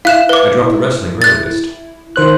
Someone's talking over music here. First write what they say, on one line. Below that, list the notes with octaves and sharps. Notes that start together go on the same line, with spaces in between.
I dropped the wrestling earliest.
E4 F5 F#6 E7
B4 D6
F#6 A6
D#3 C5 F#6